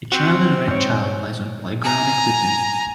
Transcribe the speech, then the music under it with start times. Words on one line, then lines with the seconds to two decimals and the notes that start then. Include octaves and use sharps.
A child in a red child plays on playground equipment.
0.12 C4 F#4
0.68 G#2 C#5
1.83 G#5 A#5